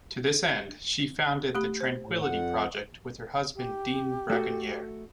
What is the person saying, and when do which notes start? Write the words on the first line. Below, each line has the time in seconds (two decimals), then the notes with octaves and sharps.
To this end, she founded "The Tranquility Project" with her husband Dean Bragonier.
1.55 A3 G4 B5
1.81 C5
2.01 A2
2.22 F2 F#5
3.55 G4
4.30 A3 F#4